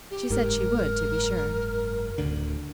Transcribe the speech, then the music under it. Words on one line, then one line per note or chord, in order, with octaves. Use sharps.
She said she would, to be sure.
G4
F#1 G#2 A#4
D1 D2 D3